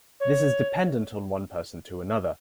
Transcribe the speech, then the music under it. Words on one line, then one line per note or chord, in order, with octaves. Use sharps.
This is dependent on one person to another.
C#5